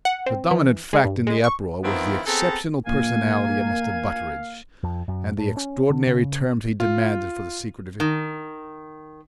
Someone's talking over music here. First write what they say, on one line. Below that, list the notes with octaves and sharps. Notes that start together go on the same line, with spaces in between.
The dominant fact in the uproar was the exceptional personality of Mr. Butteridge, and the extraordinary terms he demanded for the secret of his machine.
F#5
C4
E3
G#3
G2
G#3
C#6
D#3 F3 B3 C4 E4 F4
B3 C4 G#4 A4 A5 A#5
A#1 A#2 A#3 F5 G#5
F2
F#2
A2
C#4
D3
C#3
F4
D#3